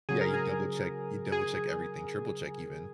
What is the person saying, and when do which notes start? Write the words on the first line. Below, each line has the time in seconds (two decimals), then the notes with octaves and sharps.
Yeah, you double check you double check everything, triple check even.
0.09 C#3 F#3 G#4
0.21 A#4
0.34 G#4
1.32 G#4